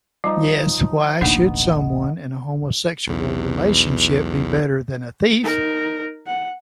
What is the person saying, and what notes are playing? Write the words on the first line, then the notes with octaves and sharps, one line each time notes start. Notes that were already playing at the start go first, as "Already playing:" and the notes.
Yes, why should someone in a homosexual relationship be better than a thief?
F3 G3 D#4
D1 A1 B2 A#3 B3 D4 D#4
B1 E2
D#4 A#4
F#5